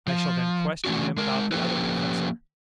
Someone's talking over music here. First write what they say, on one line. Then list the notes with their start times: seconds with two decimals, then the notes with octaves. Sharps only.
I shall then question him about the Other Professor.
0.08 F3
0.85 E3 A3 C#4 D4 F#4
1.17 G#3 A#4
1.52 F3 A#3 C#4 G4 A4 B4